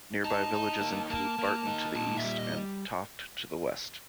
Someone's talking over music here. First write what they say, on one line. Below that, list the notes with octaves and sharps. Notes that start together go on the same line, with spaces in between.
Nearby villages include Barton to the east and Toft to the west.
D#4 A5
D#4
A#3
A#3 A5
A#3
D#4
A#2 A5
E5
G3
D#5